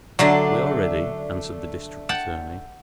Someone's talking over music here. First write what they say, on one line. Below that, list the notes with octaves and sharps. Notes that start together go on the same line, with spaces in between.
"We are ready," answered the District Attorney.
D3 F#3 A3 D4 D5
F#5 G5 A5